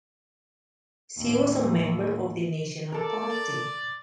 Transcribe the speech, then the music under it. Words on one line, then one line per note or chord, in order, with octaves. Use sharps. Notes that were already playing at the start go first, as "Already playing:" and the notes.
She was a member of the National Party.
D#2 A2
A4 A#4 D5